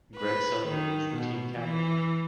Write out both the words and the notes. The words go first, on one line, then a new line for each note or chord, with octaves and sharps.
Greg Sullivan was the team captain.
B4
D#3
B2
E3